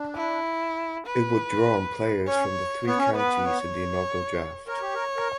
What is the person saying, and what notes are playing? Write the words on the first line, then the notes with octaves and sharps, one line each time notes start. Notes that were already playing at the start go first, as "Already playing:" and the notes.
It would draw on players from the three counties in the inaugural draft.
Already playing: D4
E4
B4
C#4 C#5
B3 C#5
C#4
B3
B4
C#5
A#4 C#5
G4
A#4
A#4